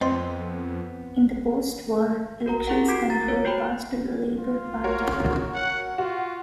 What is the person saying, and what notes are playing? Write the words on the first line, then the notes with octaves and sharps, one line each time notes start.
In post-war elections control passed to the Labour Party.
F2 B3 C4 D#5 C6
F#4 A#4 A#5
E4 G4 G#4 A#4 F#5
F#4 D6 G#6 B6 C7 D7
A#4 A#5 A6
B4 C#5
F#4 C5 C#5 G5 A#5 B5
F4
F#4 A#4 C#5
F#5
F4 F#4